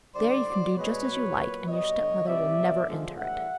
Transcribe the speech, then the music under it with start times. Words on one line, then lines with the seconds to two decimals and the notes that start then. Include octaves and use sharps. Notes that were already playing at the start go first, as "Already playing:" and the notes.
There you can do just as you like, and your step-mother will never enter it.'
0.15 D3 G3 C5 D5
0.46 A2 F#3
0.76 B2 G#3 B4 C#5
1.06 B2 F#3
1.36 A#2 F#3
1.66 B2 G3 C#5 D#5
1.97 D3 G3
2.26 C3 E3 G3 D5 E5
2.57 B2 F#3
2.88 D3 F3 G#3
3.17 A2 E3 G3 E5 F#5